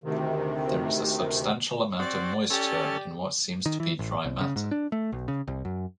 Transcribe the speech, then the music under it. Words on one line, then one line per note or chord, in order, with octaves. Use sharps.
There is a substantial amount of moisture in what seems to be dry matter.
D2 C3 D#3
C4 F#4 D5
C#4 G4 A4 D5
D#3
E3
A1
C2
C#3
G#2
D4
A3
B1
C#3
C2
F#2